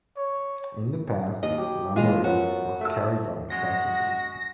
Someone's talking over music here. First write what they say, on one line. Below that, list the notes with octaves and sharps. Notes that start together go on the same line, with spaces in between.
In the past, lumbering was carried on extensively.
C#5
D#2 D#5
F#3 G4
D#2 E3 G#3 F4 D#5 F5
F#2 F3 B3 F#4
A3 E5 E6
F#2 G#3 F#4 F#5 A#6